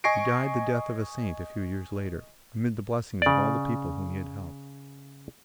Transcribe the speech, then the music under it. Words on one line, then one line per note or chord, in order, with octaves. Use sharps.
He died the death of a saint a few years later, amid the blessings of all the people whom he had helped.
D#5 G#5 C#6 A#6 C7 D7
C#3 D5